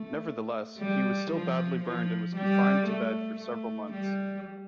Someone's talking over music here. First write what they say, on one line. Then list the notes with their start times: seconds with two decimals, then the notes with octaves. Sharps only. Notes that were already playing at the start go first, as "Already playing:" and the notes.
Nevertheless, he was still badly burned and was confined to bed for several months.
Already playing: A3
0.78 G3
1.31 F3
1.83 F3
2.36 G3
2.87 A3
3.40 A3
3.92 G3